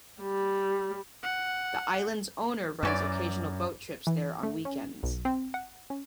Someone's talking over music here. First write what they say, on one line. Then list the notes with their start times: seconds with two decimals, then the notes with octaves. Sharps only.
The island's owner runs occasional boat trips there on weekends.
0.21 G3
1.23 F#5
2.83 F#2 E3 C#4 D5
4.07 E3
4.43 A3
4.65 C#4
5.03 B1
5.25 C4
5.54 F#5
5.90 C#4